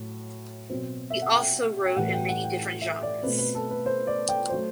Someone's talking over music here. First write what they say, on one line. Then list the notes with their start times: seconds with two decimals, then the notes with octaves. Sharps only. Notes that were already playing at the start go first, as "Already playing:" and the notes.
He also wrote in many different genres.
Already playing: A2 F#3
0.70 B2 F#3 C4
1.10 E5
1.22 F#5
1.33 G5
1.86 G5
1.96 A2 E3 G3 F#5
2.13 G5
2.29 F#5
2.44 G5
2.81 E5
3.02 D5
3.23 B2 A3 C4 B4
3.39 B4
3.55 A4
3.71 B4
3.86 C5
4.07 D5
4.29 G5
4.49 F#3 A3 C5